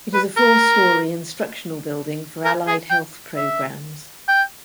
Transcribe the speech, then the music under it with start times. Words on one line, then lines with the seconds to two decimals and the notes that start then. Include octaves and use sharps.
It is a four-story, instructional building for allied health programs.
0.14 B4
0.37 A#4
2.44 A#4
2.67 G#4
2.90 G5
3.36 E5
4.28 G5